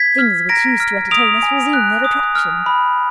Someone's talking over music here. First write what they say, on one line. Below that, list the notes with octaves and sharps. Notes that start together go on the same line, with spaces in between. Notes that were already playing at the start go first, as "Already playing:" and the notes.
Things which used to entertain us resume their attraction.
Already playing: G#6 B6
F6
A#5 A#6 D7
F6
D#6 D7 F7
G#5
F#6
D#6
F6
B5